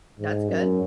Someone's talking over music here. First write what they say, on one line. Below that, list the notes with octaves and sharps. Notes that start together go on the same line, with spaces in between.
That's good.
G#2
F#2